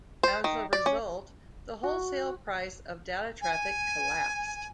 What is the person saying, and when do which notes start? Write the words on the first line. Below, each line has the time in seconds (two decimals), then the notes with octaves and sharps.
As a result, the wholesale price of data traffic collapsed.
0.23 C5
0.44 D#3
0.73 D5
0.86 C#4
1.83 F#4
3.41 G#5